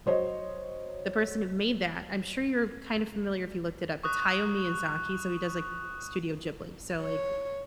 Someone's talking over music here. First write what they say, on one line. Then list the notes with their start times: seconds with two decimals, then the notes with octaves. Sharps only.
the person who made that, I'm sure you're kind of familiar if you looked it up, it's Hayao Miyazaki, so he does, like, Studio Ghibli, so, like,
0.06 F#3 C5 C#5 D#5
4.04 C#6 D#6 F#6
7.01 C#5